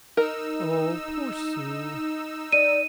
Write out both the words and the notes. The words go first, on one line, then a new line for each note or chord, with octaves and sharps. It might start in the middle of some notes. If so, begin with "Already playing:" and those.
"Oh, poor Sue!"
D#4 A#4 E6
D5 D#7